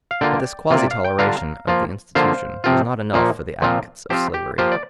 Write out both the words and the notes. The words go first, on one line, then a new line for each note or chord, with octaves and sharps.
But this quasi-toleration of the institution was not enough for the advocates of slavery.
F5
D3 A#3 F4 D5 G5
C3 A#3 F4
D5
F5
G5
D3 G3 D4 F4 F5 A#5
F3 A#3 F4
D3 F3 A#3 F4 C5 F5
C3 F3 C4 F4
A#2 F3 A#3
A#2 F3 C4 F4
F3 C4 F4 G4 C5
G4
F3 A#3 F4 G4 C5
D5